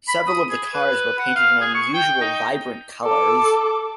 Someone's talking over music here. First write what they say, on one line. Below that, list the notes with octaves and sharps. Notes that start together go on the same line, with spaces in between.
Several of the cars were painted in unusual, vibrant colors.
B5
D#6
G#4
B4
F#5
F5
G#4
C#6
G5
D#4
A4 D6